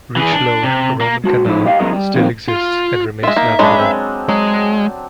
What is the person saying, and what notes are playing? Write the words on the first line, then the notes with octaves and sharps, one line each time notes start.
Reach Lode, a Roman canal, still exists, and remains navigable.
E3 G#4
D4
C3
A#3
G#3 F#4 A5
G#2 F3 D#4 E4
G4 D#5 F5
F#2 G#3 B3 E4 A#4 D#5
G3
C3 D#3 F3 A#3 C4
F4
G#3 F4 E5
A#3 D#4
F#3 G#3 C#4 D4 B4
C4
F#3 G#3